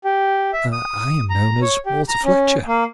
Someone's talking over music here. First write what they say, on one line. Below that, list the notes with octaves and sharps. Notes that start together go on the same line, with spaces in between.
"I am known as Walter Fletcher."
G4
E5
D#6
A#5
C#5
G4
A#5
C#4
A#3